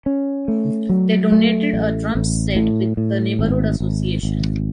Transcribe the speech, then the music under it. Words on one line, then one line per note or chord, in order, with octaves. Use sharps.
They donated a drums set with the neighborhood association.
C#4
A3
F#3
A3
A1
A1
A2
A2
G#1
G#1
G#1